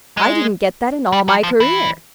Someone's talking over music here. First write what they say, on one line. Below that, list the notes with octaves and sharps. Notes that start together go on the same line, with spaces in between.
"I didn't get that in all my career."
G#3
G3
F#3
F3
E3